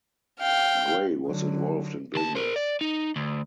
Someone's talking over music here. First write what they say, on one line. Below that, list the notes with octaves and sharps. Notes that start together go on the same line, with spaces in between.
Gray was involved in business.
F5 G5
D3 F#3
D2 A5
A#4 C5
D5
D#4
D2